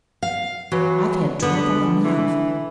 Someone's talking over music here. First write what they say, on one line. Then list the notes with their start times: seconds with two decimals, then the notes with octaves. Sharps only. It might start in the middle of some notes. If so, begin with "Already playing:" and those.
I've had trouble enough.
0.23 F5
0.72 E3 F#3
1.42 D3 B3
2.04 E3